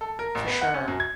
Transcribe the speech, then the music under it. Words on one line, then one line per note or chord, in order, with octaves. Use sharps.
For sure.
A4
A#4
A1
B3
F#5
C#4
F#2
G#6